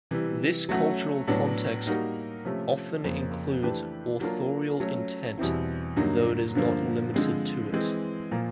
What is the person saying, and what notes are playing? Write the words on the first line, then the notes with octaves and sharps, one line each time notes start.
This cultural context often includes authorial intent, though it is not limited to it.
C3 E3 G3
F#3 A3 C#4 F#4
A2 F#3 B3 D4
G3 A#3 D#4 F#4 A#4
C3 F3 A3 C#4
F2 C#3 F3 A#3
E3 A3 D4 G4 B4
F#3 A#3 D4 F4 A#4
F#3 A3 C#4
E2 B2 G3 C4 E4
G2 D3 F#3 A#3 D#4
G2 D3 F3 A#3
D3 F3 G#3 C4
E3 G#3 C4
A#2 F3 A#3